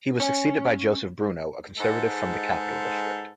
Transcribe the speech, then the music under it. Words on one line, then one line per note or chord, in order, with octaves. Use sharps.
He was succeeded by Joseph Bruno, a conservative from the Capital District.
C#4
G#2 G#3 A4 B4 A5